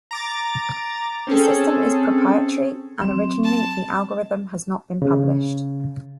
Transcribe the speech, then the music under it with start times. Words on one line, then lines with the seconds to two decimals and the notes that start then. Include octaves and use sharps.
The system is proprietary and originally the algorithm has not been published.
0.11 A#5 D6 A6
1.27 C4 C#4 G#4 A4
3.02 F#3 C4
3.44 A5
5.02 C#3